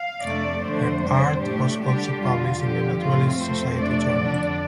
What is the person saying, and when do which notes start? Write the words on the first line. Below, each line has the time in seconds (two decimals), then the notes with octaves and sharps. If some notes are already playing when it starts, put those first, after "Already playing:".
Her art was also published in the Naturalist Society journal.
Already playing: F5
0.23 F2 C3 A3 D4 D5
0.62 F2 D3 A3 D4 C5
1.01 C3 G3 D4
1.40 A2 A3 D4 G4
1.80 D3 G3 D4 G4
2.20 F2 D3 G3 F4
2.59 F2 D3 F3 G4
2.98 A2 A3 C4 F4
3.39 F2 F3 A3 C4 C5
3.78 C3 A3 D4 D5
4.18 F2 D3 F3 D4